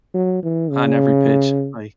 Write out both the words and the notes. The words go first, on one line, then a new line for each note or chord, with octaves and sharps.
on every pitch, like,
F#3
E3
C#3